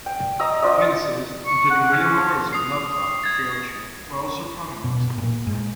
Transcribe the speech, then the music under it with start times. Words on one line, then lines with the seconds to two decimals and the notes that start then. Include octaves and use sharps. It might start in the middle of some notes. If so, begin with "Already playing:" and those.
Ministers, including William Morris of Noddfa, Treorchy were also prominent.
0.06 G5
0.39 D#5 A#5 D#6 E6
0.62 F4 C5 D5 D#5
1.46 C#6
1.70 F#5
1.92 C#4
2.53 D#6 C7
3.24 G#6 A6
4.84 B2
5.18 A#2
5.47 G#2